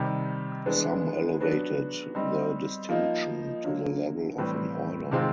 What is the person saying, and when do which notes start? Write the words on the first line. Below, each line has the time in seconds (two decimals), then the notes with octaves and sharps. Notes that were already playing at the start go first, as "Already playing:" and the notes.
Some elevated the distinction to the level of an order.
Already playing: C3 D#3 G3
0.66 E3 G#3 B3 D4
1.40 F#3 B3 D4 F#4
2.15 G3 C4 D#4
2.89 F3 A#3 D#4
3.64 D3 F#3 A#3
4.38 A2 E3 G3 C4
5.11 C3 D#3 G#3 C4 F4